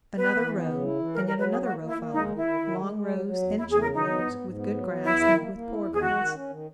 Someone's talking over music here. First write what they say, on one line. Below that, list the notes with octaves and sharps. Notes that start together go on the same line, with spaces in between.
Another row, and yet another row, followed--long rows and short rows, with good grass and with poor grass.
B3 B4
E3
B3
C#3
E4
E3
F#3 A#4
A#4
F#3
B4
A#3 G#4
A#3 F#4
A#3
E4
A#3
G#3 D#4
D#3
E4
D#3
D#3
G#3
G#3
F#3
F#3
E2
E2 E4
G#4
C#3
A#4
F#3 D#4
B3
G#2
G#2
B3
F#3
B3
E2 E4
D#3
A#3
A#3
E4
E2
G#4
G#3 F#4
D#3
C#4
D#3